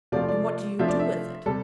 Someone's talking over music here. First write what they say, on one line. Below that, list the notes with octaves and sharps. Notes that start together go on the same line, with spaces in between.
"And what do you do with it?"
C3 F3 A3 C4 F4 D5
D5
C3 F3 A3 D4 F4 E5
D5
E5
C3 G3 A4